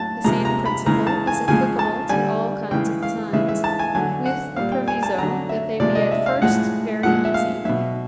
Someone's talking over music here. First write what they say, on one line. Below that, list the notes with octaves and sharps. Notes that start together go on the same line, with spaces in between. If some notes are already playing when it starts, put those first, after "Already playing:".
The same principle is applicable to all kinds of designs, with the proviso that they be at first very easy.
Already playing: A2 F#3 A5
C3 F3 G#3 A#5
A#5
B5
C#3 E3 G#3 A#5
A5
G#5
C#3 F3 G#3 G#5
A5
D3 G3 G#5
C#3 E3 G#3 G5
F5
C#3 E3 G#3 E5
E5
A5
G#5
D3 F#3 G#5
F#5
A#2 G3 F5
G5
G#5
A5
D3 F#3 A#5
E5
C3 F3 G#3 D5
D#5
E5
F5
A2 F3 G#3 F#5
A#2 F3 G#3 F#5
E5
F5
B2 F#3 E5